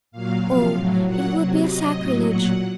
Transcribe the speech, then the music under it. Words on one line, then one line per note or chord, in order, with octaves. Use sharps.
Oh, it would be a sacrilege.
A#2 F#3 F5
C3 F3 F5
A2 F#3
A#2 F#3 F#5
C3 F#3
C3 F#3 D#5
A2 F#3
A#2 F#3 F#5